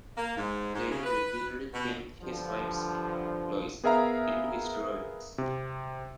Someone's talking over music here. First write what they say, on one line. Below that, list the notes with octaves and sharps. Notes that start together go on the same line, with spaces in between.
Haynie regularly penned his wife's name, Lois, into his drawings.
A#3
G#2
G#2
C#3
B4
B2
G2 D3 F3
B3 G#4 A#4 E5 F5 A#5
C3